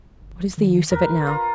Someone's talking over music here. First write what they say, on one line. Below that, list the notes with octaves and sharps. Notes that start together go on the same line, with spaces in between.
What is the use of it now?
G1
D#3
E2 A#4 B4
F1
F4 A#5